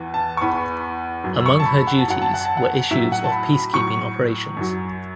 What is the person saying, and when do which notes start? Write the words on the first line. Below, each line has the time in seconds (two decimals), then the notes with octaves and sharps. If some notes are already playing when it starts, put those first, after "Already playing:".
Among her duties were issues of peacekeeping operations.
Already playing: E2 E3
0.14 A5
0.37 C#6
0.41 E2 E3 B5
1.24 F#2 F#3
1.40 E6
1.46 C#6
1.60 A5
1.66 B5
1.87 F#5
1.98 A5
2.08 F#2 F#3 F#5
2.22 A5
2.34 F#5
2.45 A5
2.57 F#5
2.91 A2 F#3 E5
3.12 F#5
3.24 A5
3.32 B5
3.53 B5
3.73 A2 F#3 C#6
4.57 F#2 F#3